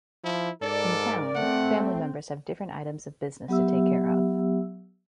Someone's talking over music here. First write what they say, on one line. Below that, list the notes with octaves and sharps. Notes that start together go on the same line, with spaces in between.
In town, family members have different items of business to take care of.
F3 E4
G#2 A4 A#4 D5
A3 C4 F#5
F#3 B3 G4 E5 E6